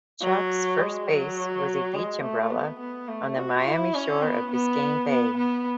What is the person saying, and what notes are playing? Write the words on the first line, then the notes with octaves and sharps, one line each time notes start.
Chalk's first base was a beach umbrella on the Miami shore of Biscayne Bay.
F#3
G#3
F#3
G#3
A3
B3
B3
A3
F#4
E4
C#4
B3
B3
B3
B3